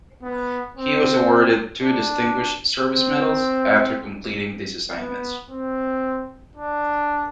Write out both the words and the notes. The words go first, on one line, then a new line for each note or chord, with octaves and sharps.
He was awarded two Distinguished Service Medals after completing these assignments.
B3
C4
D4
C4
B3
C4
D4